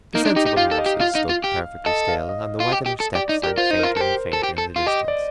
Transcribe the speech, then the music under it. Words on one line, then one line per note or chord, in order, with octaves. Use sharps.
The sensible horses stood--perfectly still, and the waggoner's steps sank fainter and fainter in the distance.
A#3 D#4
D4
D#4 G4
D#4
F4 F5
A4
D#5
G4
F4 F5
D#4
F4
G4
A4 D#5
F5
D#5
F4
G4
G4
A4
G4 D5
D#4
G4
A#4
F4 C5
D#4
F4 A#4
A4
G4 C5
A4
G4
A4
F4
G4 D#5
D5